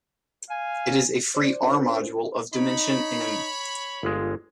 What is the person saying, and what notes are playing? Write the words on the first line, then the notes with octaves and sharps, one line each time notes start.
It is a free "R"-module of dimension "n".
F5 G#5
C5 D5
C#4 D4 F4 A4 A#4 C5
D#4 C#5 B5
G1 G#3 F4